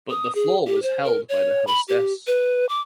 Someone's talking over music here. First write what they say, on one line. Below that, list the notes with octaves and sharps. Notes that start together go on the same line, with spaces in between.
But the floor was held by the hostess.
D#6
G#4
G4
C5
A#4
C#5
B5
G4
B4
D6